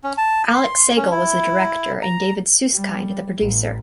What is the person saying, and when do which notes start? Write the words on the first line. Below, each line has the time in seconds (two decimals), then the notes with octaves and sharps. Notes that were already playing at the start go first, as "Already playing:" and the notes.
Alex Segal was the director and David Susskind the producer.
0.04 C#4
0.18 A5
0.55 C6
0.96 C#4
1.11 E4
2.02 A#5
2.73 G3
3.38 A1